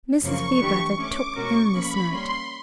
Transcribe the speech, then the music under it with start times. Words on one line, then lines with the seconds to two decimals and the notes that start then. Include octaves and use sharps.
Mrs. Fairbrother took in this note.
0.21 F#2 C#3 F3 A#3 C#6
0.59 E3 A3 D4 G4 B4
0.97 E3 A3 C#4 D6
1.35 B2 G#3 C#4 F#4 A#4 C#6
1.72 F3 A#3 C#4 B5
2.10 G3 A#3 C#4 C6